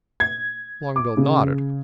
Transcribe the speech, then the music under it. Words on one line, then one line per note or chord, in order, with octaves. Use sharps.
Longbill nodded.
G#6
D6
C#3